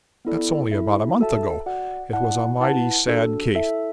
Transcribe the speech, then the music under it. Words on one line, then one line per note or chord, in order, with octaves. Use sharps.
That's only about a month ago; it was a mighty sad case.
B3 E4 A4 D5
E4 A4 E5
F#4 A4 E5 A5
F#4 D5 F#5
E4 D5 F#5 A5
E4 B4 F#5 A5
D4 F#4 A4
E4 A4 E5 A5